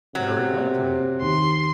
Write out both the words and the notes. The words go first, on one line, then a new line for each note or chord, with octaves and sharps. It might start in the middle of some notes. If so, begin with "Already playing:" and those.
"Very likely."
C3 F#3
D#2 C6